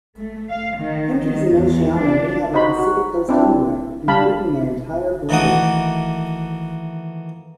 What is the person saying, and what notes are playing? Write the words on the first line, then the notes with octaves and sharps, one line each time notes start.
Countries in Oceania may have a Pacific coast anywhere, including their entire border.
A3
F5
D#3
D#3
E2
D4
D#4 F#4 C5 B5
F#4
C4 D4 E4
G3 D4 F5 A5 B5
D#3 E3 A3 A#3 F#4 D#6